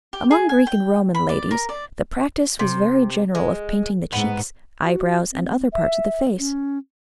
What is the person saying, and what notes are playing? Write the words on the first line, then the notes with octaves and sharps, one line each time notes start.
Among Greek and Roman ladies the practice was very general of painting the cheeks, eyebrows, and other parts of the face.
G4
G#4
G#5
G5
B5
D5
A#4
D5
C3
G#3
G#2 B3
F#4
C4
E5
C#4